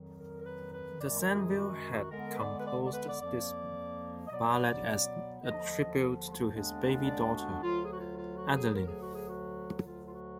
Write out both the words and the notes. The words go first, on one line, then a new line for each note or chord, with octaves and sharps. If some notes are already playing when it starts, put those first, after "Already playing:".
De Senneville had composed this ballad as a tribute to his baby daughter, Adeline.
Already playing: F2 D#3 F#3
A#4
A#4
B4
B4
F#2 D#3 G#3 D5
A#4
F#4
G#4
F#4
D3 G#3 B3 A#4
B4
D5
B4
D5
D5
B4
D5
F2 F3 A#3 D5
D#5
B2 F#3 B3 D5
D#2 D3 F3 D#5
D#2 D3 G#3 B3 D4
D5
F#4
D2 D3 F#3 F4
G#4
F#4
F4
F4
F#4
G#4
D2 D3 F#3 A#4
G#4
F#4
G#4
F#4
D2 D3 F#3 F4
F4
F#4